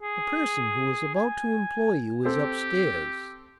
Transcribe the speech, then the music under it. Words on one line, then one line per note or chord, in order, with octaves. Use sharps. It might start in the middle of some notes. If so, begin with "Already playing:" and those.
"The person who is about to employ you is up-stairs."
G#4
G#5
C4 G4 A4